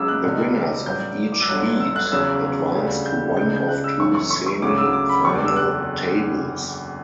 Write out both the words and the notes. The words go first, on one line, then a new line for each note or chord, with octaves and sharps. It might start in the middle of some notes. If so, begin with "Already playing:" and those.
The winners of each heat advance to one of two semi-final tables.
Already playing: C#2 C#3 F#3 D6 E6
F#6
C#2 B2 G3
A1 G2 F#3 G6
D6
E6
G1 G2 D3 F#3 F#6
E6
F#6
E2 C#3 F#3 E6
D2 C#3 G3
G6
C#2 C#3 G3 G6
G6
F#6
E6
G1 F#2 E3 C#6
C#6
C#6
C#6
D2 C#3 F#3 D6
E6
D6
B5
F#1 E2 D3 C#6
D6
E6
F#6